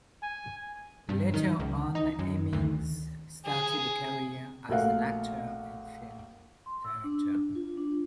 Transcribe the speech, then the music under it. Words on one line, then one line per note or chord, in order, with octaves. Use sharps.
Later on, Hemmings started a career as an actor and film director.
G#5
G2
D#3
C#2
D#4
F#2
D2
G#4
A#1 A3 F#4 A#4 F5 F#5
C6
E6
D4
F4
D4